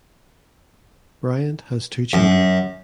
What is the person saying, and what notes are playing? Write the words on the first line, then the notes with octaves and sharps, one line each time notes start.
Bryant has two children.
F#2